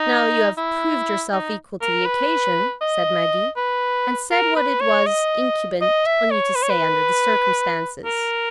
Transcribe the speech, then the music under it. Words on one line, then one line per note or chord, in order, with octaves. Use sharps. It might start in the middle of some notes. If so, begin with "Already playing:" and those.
"Now you have proved yourself equal to the occasion," said Maggie, "and said what it was incumbent on you to say under the circumstances."
Already playing: D#4
E4
D#4
A#4
B4
D#5
B4
A#4
B4
C#5
D#5
D#5
E5
C#5
B4
C#5
B4
A#4